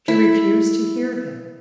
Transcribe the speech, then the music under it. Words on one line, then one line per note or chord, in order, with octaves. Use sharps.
She refused to hear him.
E4